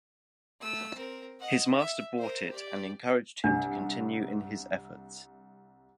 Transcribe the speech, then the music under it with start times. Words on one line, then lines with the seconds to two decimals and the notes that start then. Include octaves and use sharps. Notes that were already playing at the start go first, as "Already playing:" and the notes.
His master bought it and encouraged him to continue in his efforts.
0.60 A3 E6
0.96 C4 A#4
1.39 D#5 F#5
1.79 E5
2.18 A#4 C5
2.50 G4 D5
3.44 C2 D4